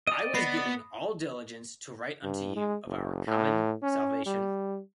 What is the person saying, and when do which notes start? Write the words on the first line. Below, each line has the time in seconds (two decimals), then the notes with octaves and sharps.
I was giving all diligence to write unto you of our common salvation.
0.07 D5 D#5 D#6
0.34 B3 B5 A#6 C7
0.57 D#6
2.23 G2
2.56 G#3
2.86 F#1
3.27 A2
3.83 C#4
4.26 G3